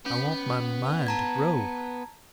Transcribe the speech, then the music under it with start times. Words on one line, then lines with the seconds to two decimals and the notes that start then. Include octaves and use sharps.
I want my mind to grow.
0.06 B3 C#4
1.07 A5 A#5 G#6